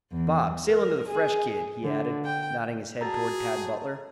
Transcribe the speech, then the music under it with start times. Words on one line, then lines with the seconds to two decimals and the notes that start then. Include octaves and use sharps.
"Bob, sail into the fresh kid," he added, nodding his head toward Tad Butler.
0.12 E2
0.68 A#4
1.08 G#4
1.84 D3
2.25 G5
3.01 F#4 G#4 A4 G5 A5 A#5 A6